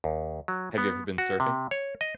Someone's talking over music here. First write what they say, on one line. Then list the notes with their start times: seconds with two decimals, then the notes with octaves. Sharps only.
Have you ever been surfing?
0.04 D#2
0.48 F#3
0.78 B3
1.18 F#4
1.40 C3
1.71 C#5
2.01 D#5